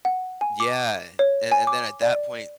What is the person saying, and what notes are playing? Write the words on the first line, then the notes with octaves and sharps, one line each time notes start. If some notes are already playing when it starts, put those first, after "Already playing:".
Yeah. And and then at that point,
F#5
G#5
D6
C#5
G#5
D6
D5